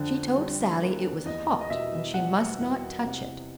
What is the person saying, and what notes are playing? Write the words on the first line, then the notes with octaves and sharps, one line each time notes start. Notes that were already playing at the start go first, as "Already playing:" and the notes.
She told Sallie it was hot and she must not touch it.
Already playing: F2 D3
G3
A#3
E2 D#5
D#5
B2 E5
G3 F#5
E2
C3